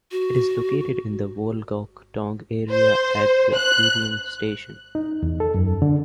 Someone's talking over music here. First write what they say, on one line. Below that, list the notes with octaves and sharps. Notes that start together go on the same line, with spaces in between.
It is located in the Wolgok-dong area at Gireum Station.
F#4
C5
F#6
D#4
E2
A4
F#2
D3